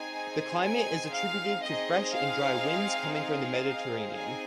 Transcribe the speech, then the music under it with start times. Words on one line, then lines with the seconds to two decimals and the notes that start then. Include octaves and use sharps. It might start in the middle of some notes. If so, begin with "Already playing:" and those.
The climate is attributed to fresh and dry winds coming from the Mediterranean.
Already playing: C4 D#4 G#4 G#5
0.63 G#5
1.13 F5
1.63 C4 D#4 G#4 D#5
2.13 F5
3.14 F5
3.64 C4 D#4 G#4
4.15 G#5